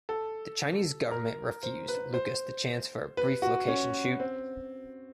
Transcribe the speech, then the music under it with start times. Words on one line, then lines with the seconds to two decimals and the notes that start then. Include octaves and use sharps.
The Chinese government refused Lucas the chance for a brief location shoot.
0.09 A4
1.11 A#4
1.63 C5
1.88 B4
2.14 C5
3.17 B4
3.42 F#4
3.68 C#4
4.20 C4